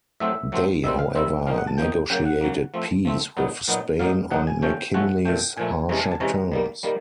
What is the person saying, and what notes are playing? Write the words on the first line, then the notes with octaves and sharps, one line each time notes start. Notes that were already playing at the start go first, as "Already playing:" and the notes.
Day, however, negotiated peace with Spain on McKinley's harsher terms.
A2 F#3 A3 C4 E5
A2 F#3 A3 C4
D#3 G3 C4 E5
F5
D#3 G3 C4 E5
F3 A#3 D#4 F5
F#5
A5
F3 A#3 D#4 G5
C#3 F#3 A#3 G5
F#5
C#3 F#3 A#3
F3 A3 C4
F3 A3 C4
A#2 F#3 B3 D#4
A#2 F#3 B3 D#4
A2 F#3 A#3 D#4 F5
A2 F#3 A#3 D#4 F#5
G#5
C3 F3 A3 C#4 G5
C3 F3 A3 C#4 F#5
A#2 F3 A3 G5
A#2 F3 A3 G#5
C3 E3 G#3 C#4 A#5
A5
G#5
A5
C3 E3 G#3 C#4 A#5
D#3 G3 A#3
D#3 G3 A#3